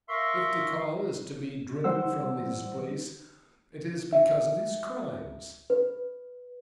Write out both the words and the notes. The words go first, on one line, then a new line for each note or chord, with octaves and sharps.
"If Tikal is to be driven from his place, it is because of his crimes."
A#4 E5 F5 C6 C#6
E3 G3 C5 F#5 E6
E5
B4